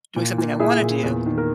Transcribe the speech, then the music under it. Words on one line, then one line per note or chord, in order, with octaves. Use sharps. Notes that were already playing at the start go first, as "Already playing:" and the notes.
doing something I wanna do,
A#2
A#2
A#2 E4 G#4
A#2
E2
D#3
A#4